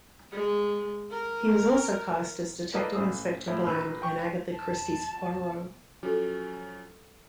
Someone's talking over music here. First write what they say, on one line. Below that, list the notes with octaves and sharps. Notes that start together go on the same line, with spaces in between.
He was also cast as Detective Inspector Bland in Agatha Christie's Poirot.
G#3
A#4
A#3 A4 B4 D5 D#5 A5
A1 C5 D#6 E6
A2 F3 E4
A#1 A#3 B4 E6
G5 C#6
A5
F3 F#3 C#4 F#4 A4